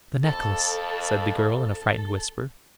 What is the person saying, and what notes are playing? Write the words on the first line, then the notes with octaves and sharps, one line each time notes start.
"The necklace," said the girl, in a frightened whisper.
F2 A4